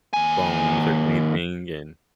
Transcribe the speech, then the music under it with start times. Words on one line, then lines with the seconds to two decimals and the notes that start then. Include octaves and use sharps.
bones or anything and
0.14 D#2 G#5